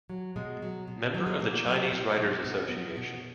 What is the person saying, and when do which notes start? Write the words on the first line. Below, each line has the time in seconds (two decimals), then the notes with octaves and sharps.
Member of the Chinese Writers Association.
0.10 F#3
0.36 B2 G#3
0.62 F#3
0.88 B2
1.14 F#3
1.27 G#3
1.40 B2 A#3
1.66 F#3
1.92 B2
2.19 F#3
2.44 B2 B3
2.57 C#4
2.69 F#3 B3
2.97 B2